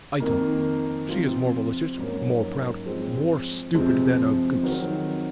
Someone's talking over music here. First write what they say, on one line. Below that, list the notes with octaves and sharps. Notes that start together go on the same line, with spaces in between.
Item--she is more malicious, more proud, more stupid than a goose.
F2 D#3 A#3
C3 F3 C4 F4
G#2 F#3 A#3 C#4
F3 G#3 C4
F2 C3 F3 G#3 C4
D#3 F#3 C4 F#4 C5